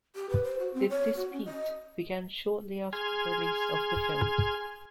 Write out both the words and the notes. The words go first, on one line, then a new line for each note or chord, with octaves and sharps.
The dispute began shortly after the release of the films.
G4
B4
C5
F#4
C4
C#5
F#4
C#4
D#5
G#4 G#5 C6 F6 G#6